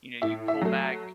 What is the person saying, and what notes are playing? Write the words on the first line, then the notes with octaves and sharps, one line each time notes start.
you know, you pull back
A2 E5
E5
F#3 A3